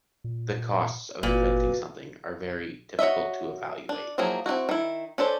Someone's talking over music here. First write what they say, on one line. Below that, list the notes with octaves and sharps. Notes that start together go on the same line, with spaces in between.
The costs of inventing something are very difficult to evaluate.
A#2
G1 A#2 F#4 B4
F#4 C#5 D#5 E5
D4
F3 F#3 A#3 E4 G#4
C4 D#4 E4 F#4
D#3 E4
C#4 D4 A4 C5